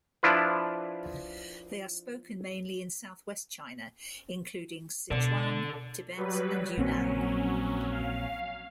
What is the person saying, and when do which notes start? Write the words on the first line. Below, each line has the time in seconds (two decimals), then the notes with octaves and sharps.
They are spoken mainly in Southwest China, including Sichuan, Tibet and Yunnan.
0.23 F3 D4 E4 F4 B4
5.11 B2 A4 D5
6.17 F#3 G3 B4
6.77 A#1 F#3 A#3 C4 C#4
7.92 F5